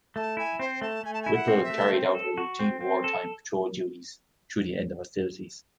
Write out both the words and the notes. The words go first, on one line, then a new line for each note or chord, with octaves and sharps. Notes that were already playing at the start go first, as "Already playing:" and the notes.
"Whipple" carried out her routine wartime patrol duties through the end of hostilities.
A3 A5
E4 G#5
C4 C5
A3 A5
A3 G#5
A5
E4 G#5
F#5
C4
E5
A3
C4
A4
F#4
C4
C4
A4